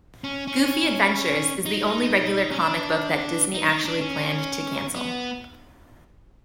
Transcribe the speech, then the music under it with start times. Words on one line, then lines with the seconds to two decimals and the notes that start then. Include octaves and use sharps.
Goofy Adventures is the only regular comic book that Disney actually planned to cancel.
0.24 C#4
0.47 C#4
1.65 D#4
1.82 E4
1.89 D#4
2.51 C#4
2.59 D4
3.54 D#4
3.69 D#4
3.85 D4
4.01 C#4
4.95 B3